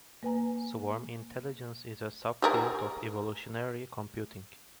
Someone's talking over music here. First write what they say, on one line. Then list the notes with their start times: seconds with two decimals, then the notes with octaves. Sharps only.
Swarm intelligence is a sub-field of evolutionary computing.
0.23 A#3 B4 G#5 A#5
2.42 G4 G#4 A#4